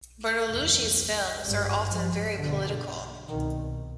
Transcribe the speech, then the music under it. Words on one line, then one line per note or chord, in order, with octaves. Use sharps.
Bertolucci's films are often very political.
F1 D#2
G#1 G2 G3
F3
B1 B2 D3
C2 B2 D#3